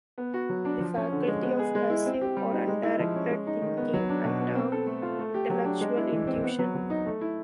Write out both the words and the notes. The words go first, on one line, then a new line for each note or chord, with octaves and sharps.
The faculty of passive, or undirected, thinking, I term 'intellectual intuition'.
B3
F#4
F#3
D4
F3
C#4
D3
G#3
B3
G#4
G#3
E4
C4
G4
G3
D#4
G#3
E4
F3
C#4
G#3
D#4
D#3
B3
F#3
D4
B2
B3
C4
A4
A3
F4
A3
G4
F#3
D4
G#3
E4
E3
C4
B3
F#3
F#3
D#4
A3
E4